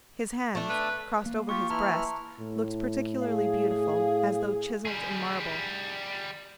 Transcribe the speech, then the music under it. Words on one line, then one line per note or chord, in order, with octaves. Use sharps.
His hands, crossed over his breast, looked particularly beautiful, as though chiseled in marble.
A3 D4
B4
A#3
F4 G4 C6 C#6 C#7
E3 E4 A5 A#5 C6 F6
A2
G#4 F5
G3 G#4